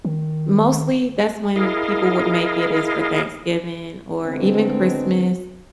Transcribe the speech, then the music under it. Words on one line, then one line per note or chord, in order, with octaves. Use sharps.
Mostly that's when people would make it, is for Thanksgiving or even Christmas.
D#3
E4 G#4 A#4 D#5 F5
D3 D#3 G#3 B3 C4 D4